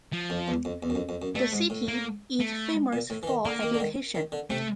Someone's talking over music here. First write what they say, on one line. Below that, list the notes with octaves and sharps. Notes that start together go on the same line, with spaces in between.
The city is famous for education.
F3
F2
E2
F2
E2
F#2
F2
F2
F#2
G2 A3
G#2
A2
A#3
A3
A#2
A2
E3
D#3
D3 A#3
D#3
D3
D#3
D#3
D3
C3 A3